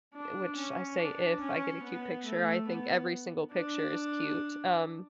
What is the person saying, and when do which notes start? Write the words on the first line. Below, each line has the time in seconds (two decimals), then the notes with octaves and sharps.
eh, which I say, if I get a cute picture, I think every single picture is cute, um
0.14 D4
0.57 C#4
0.98 D4
1.41 C#4
1.83 B3
2.26 A3
2.68 B3
3.52 D4